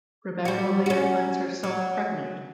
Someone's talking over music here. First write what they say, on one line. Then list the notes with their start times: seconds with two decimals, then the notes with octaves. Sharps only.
Rebecca later finds herself pregnant.
0.45 G3 F#4
0.86 C#4 F#4
1.64 F#3